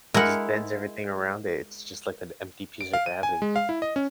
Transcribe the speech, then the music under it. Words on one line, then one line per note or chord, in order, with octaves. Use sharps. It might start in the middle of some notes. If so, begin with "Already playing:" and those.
It just bends everything around it. It's just like an empty piece of gravity.
G#3 E4 A#4 F#5
D7
F5
D#7
G#5
G#3
F5
E4
D#5
C#4